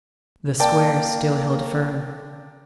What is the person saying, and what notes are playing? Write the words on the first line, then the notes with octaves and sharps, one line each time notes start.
The squares still held firm.
A#3 D5 G5 A5